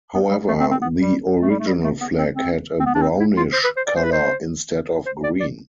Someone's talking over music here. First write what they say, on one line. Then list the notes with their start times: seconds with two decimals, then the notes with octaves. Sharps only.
However, the original flag had a brownish colour instead of green.
0.14 B3
0.31 G3
0.48 A3
0.60 C4
0.71 C4
0.82 B3
0.99 G3
1.41 A3
1.50 G3
1.59 A3
1.67 G3
1.84 A3
2.01 B3
2.18 C4
2.34 C4
2.80 C4
2.85 B3
2.95 D4
3.02 C4
3.20 E4
3.37 F4
3.53 C5
3.64 B4
3.76 C5
3.87 D5
3.96 C5
4.04 B4
4.12 C5
5.06 C5
5.23 D5
5.40 D5